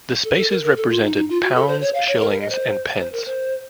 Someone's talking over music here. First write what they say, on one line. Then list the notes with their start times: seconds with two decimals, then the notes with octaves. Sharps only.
The spaces represented pounds, shillings and pence.
0.24 A4
0.32 A#4
0.37 A4
0.50 A#4
0.64 A#4
0.77 A4
0.90 F4
1.03 D#4
1.16 D#4
1.30 F4
1.43 F#4
1.55 A4
1.68 C5
1.81 C#5
1.94 F5
2.08 C#5
2.21 A#4
2.31 A#4
2.41 D#5
2.50 C5
2.99 C5
3.12 A#4
3.26 C5